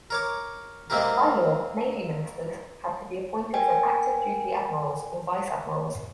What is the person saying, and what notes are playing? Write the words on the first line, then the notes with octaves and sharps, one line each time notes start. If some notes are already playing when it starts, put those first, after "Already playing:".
By law, Navy Ministers had to be appointed from active duty admirals or vice-admirals.
A#4 C#5 D6
G#3 A#3 C4 E4 G4 A#4
A#4 G5 G#5